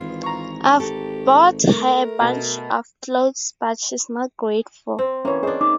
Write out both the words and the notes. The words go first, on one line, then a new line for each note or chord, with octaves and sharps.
'I've bought her a bunch of clothes, but she's not grateful.
G#1 E3 F4
A#5 C#6
G4 A4
A3 A#4
B2
C4
E3 A#3 C#4 C#5
D4 G#4 C5 C#5 D#5
D#4 D6